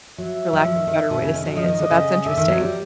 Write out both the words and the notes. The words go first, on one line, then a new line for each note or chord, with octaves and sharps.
for lack of a better way to say it, so that's interesting.
F#3 E5
F#3
F3
D#3
D#3
B2
C#3
D#3
F#3
F3 D#5
D#3
D3
C#3
D3 E5
D#3
F#3
G3